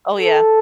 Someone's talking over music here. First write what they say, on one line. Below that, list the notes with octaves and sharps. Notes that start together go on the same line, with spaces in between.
Oh, yeah.
A4